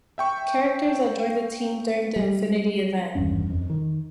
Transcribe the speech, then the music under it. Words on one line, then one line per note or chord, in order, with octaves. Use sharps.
Characters that joined the team during the "Infinity" event.
E5 G5 C#6
G3
G#1 E2 G2 C#4
F2
D#3